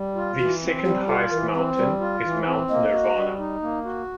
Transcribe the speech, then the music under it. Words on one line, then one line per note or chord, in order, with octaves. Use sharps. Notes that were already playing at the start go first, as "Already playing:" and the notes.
The second highest mountain is Mount Nirvana.
Already playing: G3
F4
E3 F#4
C4
G3 G4
F4 A4
E3 A#4
C4 B4
G3 C5
F4
E3
C4
A#3 D#5
F#4
G3
D#4
A#3
F#4